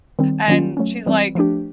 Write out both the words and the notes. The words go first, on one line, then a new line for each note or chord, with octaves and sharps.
and she's like,
D#3 G3 C4
D#3 F#3 A#3 C#4 F4
F#3 A3 C#4
E3 G3 C4
F3 A3 D4 G4